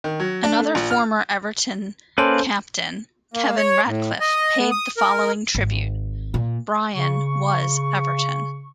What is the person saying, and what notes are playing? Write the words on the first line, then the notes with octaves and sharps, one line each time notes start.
Another former Everton captain, Kevin Ratcliffe, paid the following tribute: Brian was Everton.
D#3
F#3
D4
A3
A#1
F6
A#3 C#4 A4 B4 C5 D5
A#3
C#5
A2
D#5
B3
D#6
A#4
G#1
A#2
C#3 C#6